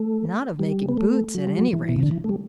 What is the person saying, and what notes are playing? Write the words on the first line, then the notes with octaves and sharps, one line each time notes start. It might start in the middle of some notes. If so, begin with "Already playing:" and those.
'Not of making boots, at any rate!
Already playing: A3
G3
B3
A3
F#3
G3
F#3
E3
B2
C3
D3
E3
A3
G3